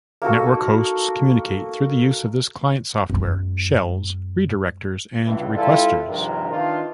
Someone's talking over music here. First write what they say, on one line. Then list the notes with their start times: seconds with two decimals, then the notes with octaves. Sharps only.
Networks Hosts communicate through use of this client software: Shells, Redirectors and Requesters.
0.22 A#3 D#4 F#4 A4
3.10 F#2 G#3
5.26 C#2 G2 E3
5.55 G3 C4 E4 F4 A4
6.08 A#1 G2 C3 D#3 F3 A#4
6.51 D#3 E3 D4 D#4 F4